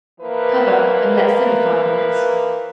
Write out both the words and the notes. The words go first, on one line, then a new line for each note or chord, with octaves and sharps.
Cover and let simmer five minutes.
E3 F3 A#3 B4